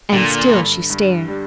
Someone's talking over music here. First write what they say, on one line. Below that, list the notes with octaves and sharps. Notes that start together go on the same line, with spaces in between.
And still she stared.
A#2 D3
G2
G2
G3